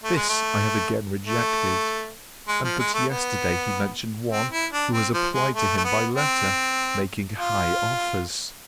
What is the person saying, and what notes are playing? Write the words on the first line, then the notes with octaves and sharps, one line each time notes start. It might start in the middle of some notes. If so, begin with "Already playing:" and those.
This I have again rejected; and but yesterday he mentioned one who has applied to him by letter, making high offers.
A3
G#3
A3
A3
G#3
F3
G#3
A3
B3
C4
E4
D4
C4
F3
G#3
A3
A3
B3
C4
F4